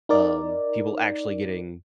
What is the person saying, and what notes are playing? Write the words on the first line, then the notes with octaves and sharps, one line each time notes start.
um, people actually getting
D#4 A#4 D5